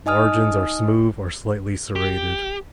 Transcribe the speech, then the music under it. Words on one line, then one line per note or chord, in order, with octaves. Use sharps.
Margins are smooth or slightly serrated.
D#4 D#5 G#5 D#6 F6
G4